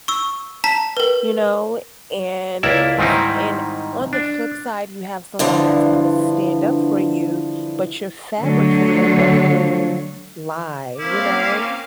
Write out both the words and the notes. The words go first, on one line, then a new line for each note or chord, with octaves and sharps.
you know? And f and on the flip side, you have someone that's gonna stand up for you, but you're fabricating a whole lie, you know?
C#6 E6
A5 A#5 B6
A#4 B4
C#2 A#3 E4 D5 E5
G#2 D#3 G3 C4 D#4 E4
D4
G2 D3 E3 F3
D3 F#3 A3 C#5
A#3 C4 C#4 E4 F5 D6